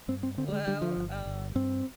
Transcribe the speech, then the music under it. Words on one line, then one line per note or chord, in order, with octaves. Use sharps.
Well, um
G2 C4
C4
D3 C4
G3
G#3
D3 G3
F3
G1
G1
G2 C4